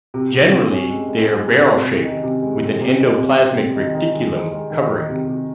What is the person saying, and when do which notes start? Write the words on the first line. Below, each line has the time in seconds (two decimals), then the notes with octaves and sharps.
Generally, they are barrel shaped, with an endoplasmic reticulum covering.
0.14 C3
0.32 C3
0.51 C3
0.71 C#4
0.90 G#3
1.08 G#3
1.28 G#3
1.47 C3
1.66 C3
1.85 C3
2.04 D#3
2.23 C3
2.42 G#3
2.61 G#3
2.81 C3
2.99 G#3
3.18 C3
3.37 C4
3.56 C3
3.76 D#3
3.94 D#3
4.13 G#3
4.32 G#3
4.52 G#3
4.71 D#3
4.90 D#3
5.09 C3
5.28 C3